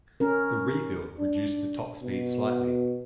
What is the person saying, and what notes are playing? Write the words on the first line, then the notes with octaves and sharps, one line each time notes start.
The rebuild reduced the top speed slightly.
C#4 A#4
D4
B2